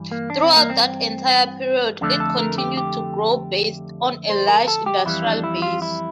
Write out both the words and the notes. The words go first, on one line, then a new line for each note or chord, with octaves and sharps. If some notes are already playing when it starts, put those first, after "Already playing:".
Throughout that entire period, it continued to grow based on a large industrial base.
Already playing: G2 E3 G3
A#3
D4
C4
A#3
C4
F2 D3 A3 D4
A4
A#4
G4
G4
C5
A#4
A4
G4
F2 E3 G3 E4
D4
E4
F4
E4